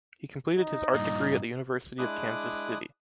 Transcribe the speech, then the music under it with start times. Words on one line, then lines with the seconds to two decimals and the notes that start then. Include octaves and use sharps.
He completed his art degree at the university of Kansas City.
0.58 D#4
0.95 G2 A#2
1.99 G#3 D4 E4 D6 D#6 F#6